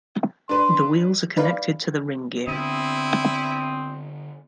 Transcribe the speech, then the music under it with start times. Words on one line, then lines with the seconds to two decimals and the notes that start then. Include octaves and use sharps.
The wheels are connected to the ring gear.
0.49 D4 B4 C6
1.37 D#4 B4 D5 F5
2.47 D3 B3 C4 E4 D#6